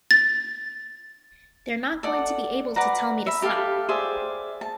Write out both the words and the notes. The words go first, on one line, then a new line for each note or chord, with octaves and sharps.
They're not going to be able to tell me to stop.
A6
A4 D5 F#5
B4 D5 F#5 A#5
E5 B5
G4 A4 E5 F5
G#4 C5 D5 E5
A5